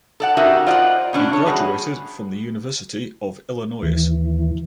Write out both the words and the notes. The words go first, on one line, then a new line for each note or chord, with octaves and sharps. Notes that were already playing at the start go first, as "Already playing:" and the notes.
He graduated from the University of Illinois.
A4 D5 F#5
C#4 D#4 F#4 G4 A#4 E5
F4 C5 D5 D#5 F#5
B2 C#4 D4
A4 C#5
E2 G3 F#4 G#4
D#2 E3